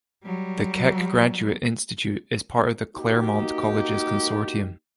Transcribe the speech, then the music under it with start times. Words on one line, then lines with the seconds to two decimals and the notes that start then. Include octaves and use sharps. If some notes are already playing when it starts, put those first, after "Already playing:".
The Keck Graduate Institute is part of the Claremont Colleges consortium.
0.24 F#3 G3
2.96 A#3 D#4 F#4 G4